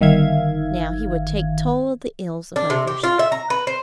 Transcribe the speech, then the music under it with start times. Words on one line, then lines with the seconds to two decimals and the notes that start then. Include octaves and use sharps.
Now he would take toll of the ills of others.
0.01 G1 D#3 E5 F5 G#6
2.56 D4
2.70 C3
2.87 G4
3.03 F4
3.19 E5
3.32 A#5
3.50 B4
3.67 C5